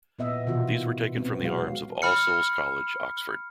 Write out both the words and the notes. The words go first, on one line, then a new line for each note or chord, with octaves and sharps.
These were taken from the arms of All Souls College, Oxford.
A#2 B3 D#5 E5
B2 D#3 E3 B3 F4 F#4
B3 C4
F#3 G#3 F#4 F5
B5 F6 C#7